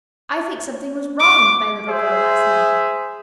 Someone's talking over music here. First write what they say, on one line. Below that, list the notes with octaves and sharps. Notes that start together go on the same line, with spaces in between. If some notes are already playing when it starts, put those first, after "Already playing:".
I think something was wrong with my little girl last night.
D6
G#4 C5 E5